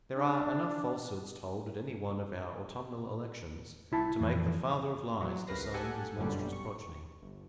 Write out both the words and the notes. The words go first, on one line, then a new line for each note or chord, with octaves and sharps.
There are enough falsehoods told at any one of our autumnal elections to make the "Father of Lies" disown his monstrous progeny.
D4
C2 E4 A5
F2 E3
F#3
C#2 C3 A#4 B4 A#6 C7
G4 A4 F#5 G#5
G1 F#2 B2 D3 G3
C#6
G1